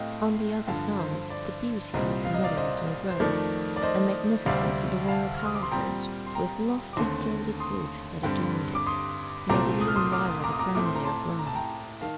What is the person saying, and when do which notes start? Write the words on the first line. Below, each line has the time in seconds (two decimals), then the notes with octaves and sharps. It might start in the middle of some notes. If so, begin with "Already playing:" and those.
On the other side, the beauty of the meadows and groves, and magnificence of the royal palaces, with lofty, gilded roofs that adorned it, made it even rival the grandeur of Rome.
Already playing: A2 A3 C4 D#5 F5 G5
0.67 G2 D3 F3 F5 A5
0.99 C5
1.30 D5
1.94 C2 A#2 G3 C4 C5 D#5
2.25 F5
2.34 D#5
2.44 D5 F5
2.57 C5 D#5
3.10 C5
3.20 F2 D#3 A3 D5
3.76 D5
3.82 C5 D#5
4.46 D2 C3 G3 C4 D5 F5
5.08 F5 A5
5.36 F6
5.45 D#6
5.54 D6
5.63 C6
5.71 A#2 G3 C4 G5 A#5
6.27 C6
6.35 G5 A#5
6.93 D6
6.97 D#2 D3 A3 C4 A5 C6
7.60 C6 D#6
8.23 G2 D3 G3 C4
8.75 D6
8.86 C6 D#6
9.49 C2 A#2 A3 C4 A#5 D6
9.81 D#6
9.88 F6
9.96 C6 D#6
10.12 D6 F6
10.28 C6 D#6
10.44 A#5 D6
10.52 D#6
10.59 A#5 D6
10.75 A2 A3 C4 D6
10.86 C6
10.95 A#5
11.05 A5 C6
11.39 A#5
11.47 A5
11.55 G5 A#5
12.01 D#3 F5 A5